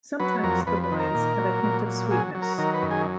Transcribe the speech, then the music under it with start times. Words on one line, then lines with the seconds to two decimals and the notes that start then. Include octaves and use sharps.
Sometimes the wines have a hint of sweetness.
0.20 F#3 B4
0.44 F2 A#4
0.67 F2 B4
0.84 B4
0.92 D#3
0.99 A#4
1.15 A#2
1.39 F#3
1.64 A#2
1.86 F#3
2.11 F#3 G#4
2.35 F#3
2.42 A#4
2.58 D#3 A#4
2.74 B4
2.82 F#2
2.91 G#4